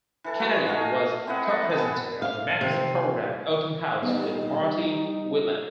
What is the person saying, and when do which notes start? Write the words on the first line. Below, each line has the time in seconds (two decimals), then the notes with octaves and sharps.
Kennedy was co-presenter of the magazine programme "Open House" with Marty Whelan.
0.24 E3 A4 A5
0.40 G#3 A3 F#4
0.66 A3 D#5 F5 G#5
1.27 C4 E4 D#5 F#5
1.49 D#5 F#5 A5 A#5
1.69 B3 G#4 A4
2.22 F5
2.61 C3
4.03 G2 D#3 G3 B3 D#4